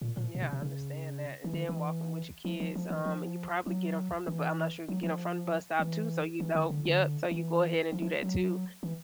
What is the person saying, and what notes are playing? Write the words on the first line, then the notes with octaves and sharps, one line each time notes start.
Mm, yeah, I understand that, and then walking with your kids, um, and you probably get 'em from the b I'm not sure if you get 'em from the bus stop too, so, you know Yep, so, you go ahead and do that too.
A#2
A#2
B2
C3
C3
C#3
E3
D#3
E3
F3
F3
F3
E3
F3
F#3
E3
F#3
F3
E3
E3
D#3
D3
D3
E3
F3
F3
F#3
E3